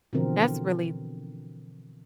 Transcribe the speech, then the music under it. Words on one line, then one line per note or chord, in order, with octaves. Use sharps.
That's really
B2 D3 E3 F3 C4 A#4